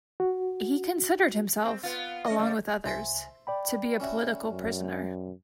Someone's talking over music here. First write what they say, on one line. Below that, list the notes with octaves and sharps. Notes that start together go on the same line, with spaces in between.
He considered himself, along with others, to be a political prisoner.
F#4
C4
B3 F4
C#4 D#5
C#3 G3
C2 C5 E5 G#5 A5
D5 G5 B5
C#4 E4 F#4
F#2